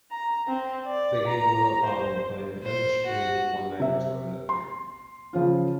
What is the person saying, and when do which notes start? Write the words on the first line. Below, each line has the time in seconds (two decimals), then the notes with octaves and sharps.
They gained a loyal following playing an endless stream of one-nighters over that year.
0.11 A#5
0.48 C4
0.86 D5
1.28 A#5
1.86 C5
2.64 C5
3.06 F#4
3.80 C3 E5
4.49 C6
5.33 C#3 F3 C#4 F4